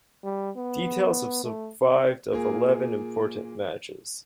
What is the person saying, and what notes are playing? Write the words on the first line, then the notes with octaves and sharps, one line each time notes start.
Details have survived of eleven important matches.
G3
B3
A3
C4
A#2 A#3 G#4